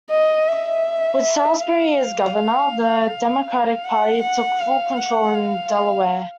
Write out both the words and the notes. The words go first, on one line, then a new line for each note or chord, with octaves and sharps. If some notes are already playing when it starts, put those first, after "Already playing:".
With Saulsbury as governor, the Democratic Party took full control in Delaware.
D#5
E5
F5
F#5
F#5
F5
F#5
F5